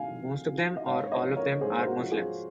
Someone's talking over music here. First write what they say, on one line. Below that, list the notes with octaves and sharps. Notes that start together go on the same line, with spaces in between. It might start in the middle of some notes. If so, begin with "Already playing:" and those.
Most of them or all of them are Muslims.
Already playing: D#3 F#3 F5 G#5
F2
D#3 F#3
D#5
G#2 C#5 F5
C#5
C5 D#5
F3
A#4 C#5
G#2 G#4 C5
C5
F#4 A#4
F3
F4 G#4